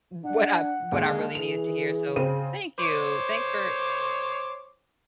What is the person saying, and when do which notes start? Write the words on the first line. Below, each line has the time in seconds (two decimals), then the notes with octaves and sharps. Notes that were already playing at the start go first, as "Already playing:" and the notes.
w what I what I really needed to hear. So, thank you. Thanks for
0.24 D4 F#5
0.92 D#2 D3 G#3
1.35 E3 G#4 F7
2.16 C#3 C4 D#7
2.78 C5 C#5 D6